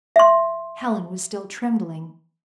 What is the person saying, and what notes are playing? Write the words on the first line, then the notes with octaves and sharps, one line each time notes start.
Helen was still trembling.
E5 C6